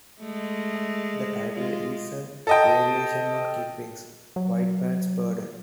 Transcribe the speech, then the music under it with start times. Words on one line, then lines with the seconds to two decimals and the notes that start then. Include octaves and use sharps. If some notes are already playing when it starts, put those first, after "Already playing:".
The title is a variation on Kipling's "White Man's Burden".
0.21 G#3 A3
1.52 G#3 F4
2.47 A4 D#5 G5
4.36 F#3